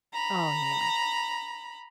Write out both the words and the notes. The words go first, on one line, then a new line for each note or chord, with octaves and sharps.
Oh, yeah.
A#5 B5